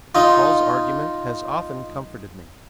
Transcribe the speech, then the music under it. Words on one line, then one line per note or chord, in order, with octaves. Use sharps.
Paul's argument has often comforted me.
D#4 F4